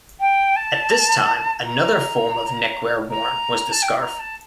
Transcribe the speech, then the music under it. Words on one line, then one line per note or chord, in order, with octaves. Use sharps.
At this time, another form of neckwear worn was the scarf.
G5
A5
A#5
A#5
A5
G5
A#5
A5